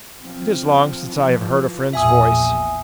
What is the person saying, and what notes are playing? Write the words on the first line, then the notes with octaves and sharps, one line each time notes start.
'It is long since I have heard a friend's voice.
F3 C4
E3 F3
A#1 E2 E5 G#5 D#6